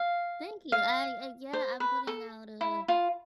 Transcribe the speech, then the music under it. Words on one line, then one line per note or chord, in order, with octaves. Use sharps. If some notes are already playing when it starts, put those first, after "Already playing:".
Thank you, I I yeah, I'm putting out a
Already playing: F5
F5
C5
B4
A4
E4
F4